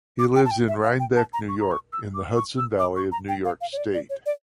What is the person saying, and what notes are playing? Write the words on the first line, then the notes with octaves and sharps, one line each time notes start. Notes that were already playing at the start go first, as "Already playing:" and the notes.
He lives in Rhinebeck, New York, in the Hudson Valley of New York State.
D6
G5
A5
G5
E5
F5
G5
A5
A#5
C#6
A#5
C#6
E6
D6
C#6
E6
D6
C#6
A#5
G5
F5
F5
C#5
D5
D5
C#5
D5